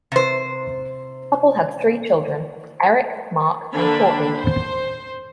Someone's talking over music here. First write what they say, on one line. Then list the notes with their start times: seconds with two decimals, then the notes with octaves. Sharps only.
The couple had three children, Eric, Mark and Courtney.
0.12 C3 C5
3.74 D3 A#3 D4 B5
4.37 C5